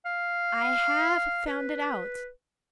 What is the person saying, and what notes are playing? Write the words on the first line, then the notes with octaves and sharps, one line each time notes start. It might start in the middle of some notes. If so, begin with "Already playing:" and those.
I HAVE found it out.
F5
B4